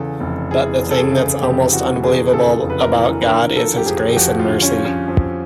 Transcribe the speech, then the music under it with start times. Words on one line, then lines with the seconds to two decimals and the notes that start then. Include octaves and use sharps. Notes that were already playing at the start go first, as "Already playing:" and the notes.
But the thing that's almost unbelievable about God is His grace and mercy.
Already playing: E2 C#3 A4
0.20 F1
0.51 E3 G#4
0.82 E2
0.91 A4
0.97 G#4
1.11 C#3
1.42 F1 G4
1.72 E3 F#4
2.03 E2 G#4
2.33 C#3 A4
2.64 F1
2.70 B4
2.80 A#4
2.95 E3
3.21 B4
3.26 D3 A#4
3.55 F3 A4
3.78 G4
3.86 F2 G#4
4.13 G4
4.16 F2 F#4
4.39 F4
4.47 D3
4.62 C#4
4.77 F3
4.85 C#4
5.08 F2